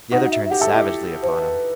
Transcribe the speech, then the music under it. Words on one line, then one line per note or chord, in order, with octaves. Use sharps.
The other turned savagely upon him.
D#4 F#4 F#5
F#5
E5
E5
G4 F#5
A4 E5
E4 G4 D#5
C5
B4